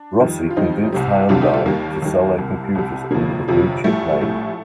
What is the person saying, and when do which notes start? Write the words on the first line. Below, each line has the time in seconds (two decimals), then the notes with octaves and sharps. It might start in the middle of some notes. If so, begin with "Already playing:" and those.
Rossi convinced Hyundai to sell their computers under the Blue Chip name.
Already playing: D4
0.20 F2 D#3 G3
0.50 F4
0.57 F2 D#3 G3 C4 D#4
0.92 C2 C3 G3
1.29 C2 C3 G3 D4 F4
1.41 D#4 G4
1.54 F4 A4
1.66 D#2 D#3 G3 A#3
2.02 D#2 D#3 G3
2.38 C2 C3 G3
2.75 C2 C3 G3
3.11 G1 F2 C3 F3 A#3
3.48 G1 F2 C3 F3
3.84 A#1 A2 G3 A3
4.20 A#1 A2 G3